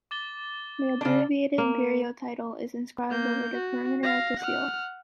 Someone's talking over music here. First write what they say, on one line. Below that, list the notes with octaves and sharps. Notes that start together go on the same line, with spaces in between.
The Abbreviated Imperial Title is inscribed over the perimeter of the Seal.
D6 A6 G7
C#3 D4
A#3
A#3 G6
F#4
F5 A#6
F#5 F6